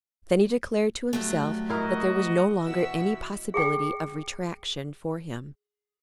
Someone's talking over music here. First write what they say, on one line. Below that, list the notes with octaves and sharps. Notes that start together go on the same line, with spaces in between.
Then he declared to himself that there was no longer any possibility of retractation for him.
G2 F#3 A3
E4 F#4 A#4 D#5
B2 E3 F#5 C#6 E6 B6
G#4 A4 G5